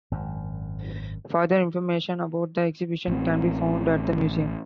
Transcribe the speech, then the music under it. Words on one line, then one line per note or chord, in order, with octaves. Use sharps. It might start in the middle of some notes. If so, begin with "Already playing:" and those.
Further information about the exhibition can be found at the museum.
G#1 F#2
A1 C4